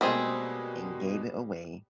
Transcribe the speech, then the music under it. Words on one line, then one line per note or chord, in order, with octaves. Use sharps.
and gave it away
B2 G3 G#3 A#3 C4 G#4